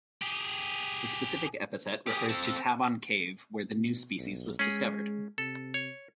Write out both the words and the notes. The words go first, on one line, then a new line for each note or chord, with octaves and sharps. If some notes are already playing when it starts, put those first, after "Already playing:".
The specific epithet refers to Tabon Cave where the new species was discovered.
G4 G#4
G4 G#4
C4 A4
B2
B1
G#3 C#4 G#4
C3 A4
C#5